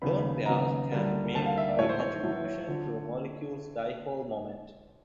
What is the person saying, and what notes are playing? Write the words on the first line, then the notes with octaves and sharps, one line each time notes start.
Lone pairs can make a contribution to a molecule's dipole moment.
D#2 C#3 F#3 B3 B5
D#2 C#3 F#3 B3 A#5
D2 D3 G3 A#3
D2 D3 G3 A#3 A5
F5
E5
D5
A1 A2 F#3 A3 C#5
C5
C#5
A1 A2 F#3 A3
D3 F3